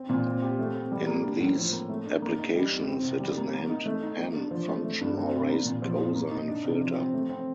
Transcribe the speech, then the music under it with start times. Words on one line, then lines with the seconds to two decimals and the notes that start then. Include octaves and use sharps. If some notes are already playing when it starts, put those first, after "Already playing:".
In these applications, it is named Hann function or raised-cosine filter.
Already playing: C4
0.09 A#2
0.26 C4
0.42 G4
0.59 A3
0.74 C4
0.92 G3
1.07 A#3
1.23 D4
1.40 A2
1.56 F3
1.72 A#3
1.89 A3
2.06 D4
2.22 A#3
2.38 D#4
2.55 G3
2.72 F2
2.88 C4
3.03 C3
3.20 G3
3.37 A#3
3.54 A#3
3.70 D#4
3.86 A3
4.03 D#4
4.19 A#3
4.35 D4
4.51 F3
4.68 A3
4.84 A3
5.01 G2
5.17 C4
5.34 C3
5.49 A#3
5.65 A#2
5.82 F3
5.99 F2
6.15 A#3
6.31 D#4
6.48 D4
6.64 C3
6.81 F3
6.98 C4
7.14 A3
7.29 C4